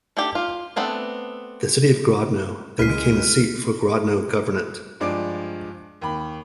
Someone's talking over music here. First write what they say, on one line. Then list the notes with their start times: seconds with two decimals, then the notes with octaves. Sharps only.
The city of Grodno then became a seat for Grodno Governorate.
0.17 A3 D4 G4
0.35 F4
0.76 A3 B3 C4 D4
2.79 C#2 G#3 E4 F6 B6 C7 D#7
5.00 G2 F3 G#3 D5 D6 D7
6.01 D#2 B5